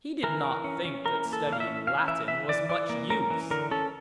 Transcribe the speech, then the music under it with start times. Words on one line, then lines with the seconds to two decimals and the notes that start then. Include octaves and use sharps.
He did not think that studying Latin was much use.
0.23 E3 A#4
0.44 E3
0.64 C#4
0.85 C#4
1.05 E3 A#4
1.25 A#3
1.33 A4
1.47 E3
1.53 F5
1.60 E5
1.67 C#4
1.87 C#4 F5
2.08 E3 E5
2.28 E3 E5
2.49 E3 D5
2.69 E3 D5
2.90 A#3
3.10 C#4 A#4
3.31 E3
3.51 D3 A#4
3.71 C#4 A4